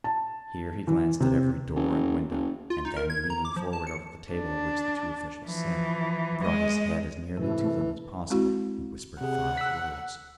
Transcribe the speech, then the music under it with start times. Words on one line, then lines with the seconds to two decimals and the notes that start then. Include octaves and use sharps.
Here he glanced at every door and window; and then, leaning forward over the table at which the two officials sat, he brought his head as nearly to them as possible and whispered five words.
0.04 A5
0.87 E3
1.20 C3
1.75 F#1
2.30 F#1
2.70 F4
2.85 D#4
2.97 A#4
3.10 G#6
3.30 A#5
3.45 D6
3.56 F3
3.73 A5
3.87 C#7
4.30 D4
5.46 E3 F3
6.42 G#3 D#5
7.37 G#2 C3 E3 A3
8.30 G#3 C4 E4 F#4
9.21 C3 G#4 F#5
9.57 E6 F#6 B6